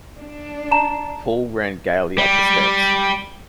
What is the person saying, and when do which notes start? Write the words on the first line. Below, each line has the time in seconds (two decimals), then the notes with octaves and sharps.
Paul ran gaily up the steps.
0.18 D4
0.71 A5 A#5 E7
2.18 G3